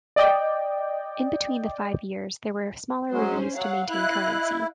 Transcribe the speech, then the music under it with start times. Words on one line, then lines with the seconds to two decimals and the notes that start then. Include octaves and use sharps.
In between the five years, there were smaller reviews to maintain currency.
0.16 D5 D#5 G5
3.11 F#3 G#3 C#4 C5
3.55 F#3 F5 F#5
3.89 E4 D#5 F5 F#6